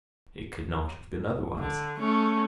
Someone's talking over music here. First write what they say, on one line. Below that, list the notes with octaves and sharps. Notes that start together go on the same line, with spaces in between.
It could not have been otherwise.
D3
A3 C#4